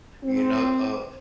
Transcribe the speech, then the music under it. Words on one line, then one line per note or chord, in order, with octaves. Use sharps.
you know, uh,
C4